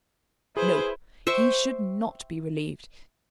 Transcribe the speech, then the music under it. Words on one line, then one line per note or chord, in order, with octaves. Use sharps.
No! he should not be relieved.
E4 G#4 B4 C5
C5 E5 G5 C#6